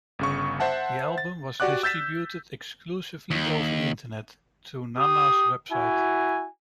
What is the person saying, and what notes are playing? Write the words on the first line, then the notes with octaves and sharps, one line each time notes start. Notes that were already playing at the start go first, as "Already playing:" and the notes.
The album was distributed exclusively over the Internet, through Nana's website.
G1 C#3 C#6
C5 E5 F#5 A5
A6
F#4 G4 D5 F#5 D6 F#6
E6 G6 A6 B6 E7
D#2
G4 D#6
E4 F#4 G#5